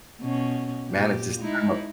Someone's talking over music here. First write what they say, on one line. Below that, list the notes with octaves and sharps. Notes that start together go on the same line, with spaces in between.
manage this time up."
B2 C#4
A#2 G4
G#3 D#4 E4